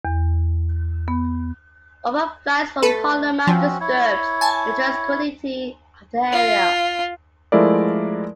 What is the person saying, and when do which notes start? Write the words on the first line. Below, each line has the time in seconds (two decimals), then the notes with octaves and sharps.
Overflights from Holloman disturbed the tranquility of the area.
0.05 E2
1.08 B3
2.82 A3 A4 B4
3.47 F3 C4 C#4 F#4
3.80 E4 C#5
4.41 G#5 A5
6.32 F4
7.52 F3 G#3 A3 E4 A#4 D5